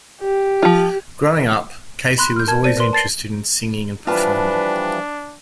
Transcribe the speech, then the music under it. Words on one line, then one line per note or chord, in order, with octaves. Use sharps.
Growing up, Casey was always interested in singing and performing.
G4
F3 F4
B5 C6 F#6
F6 G6
A#4 A5 G#6
C5 D5 D#7
A#4 B4 D5 C6
A5 A6 C7 G7
E3 F3 G3 D4 F4 B4 A5